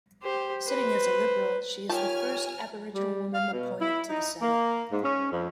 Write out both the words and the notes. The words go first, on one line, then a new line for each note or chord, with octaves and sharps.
Sitting as a Liberal, she is the first Aboriginal woman appointed to the Senate.
G4 C5
B4 C5
D#3 F4 G4 C#5 G#5 A5 F6
G3
F5
B2
E4
D#4
A#3
G#2
C#4
F2